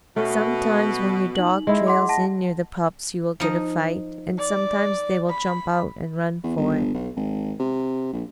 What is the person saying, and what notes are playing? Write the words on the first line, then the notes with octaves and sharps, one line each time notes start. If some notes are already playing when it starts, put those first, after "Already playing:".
Sometimes when your dog trails in near the pups you will get a fight, and sometimes they will jump out and run for it.
B2 A3 C#4
D#4 F#7
G#3 E4
F#5 C6 D6
F#5 A5 A#6
F3 D#4
D5
B5
E2
G1
B1
G#1
C3
A#1